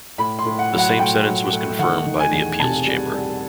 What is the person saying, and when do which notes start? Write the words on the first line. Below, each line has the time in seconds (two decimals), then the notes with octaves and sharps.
The same sentence was confirmed by the appeals chamber.
0.18 A2 B5
0.39 C6
0.46 A2
0.59 F#5
0.73 F#3
0.78 F#5
0.99 A3 G5
1.26 F#3
1.52 A3
1.79 D#3 F#5
2.07 D#3
2.20 G#5
2.33 E2
2.60 C3 A5
2.87 G3
3.13 G3